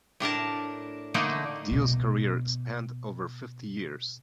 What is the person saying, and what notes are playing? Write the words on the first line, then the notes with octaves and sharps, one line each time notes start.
Dio's career spanned over fifty years.
A2 D4 A#4 A5
D3 A3 A#3 D4 D#4
B2 B3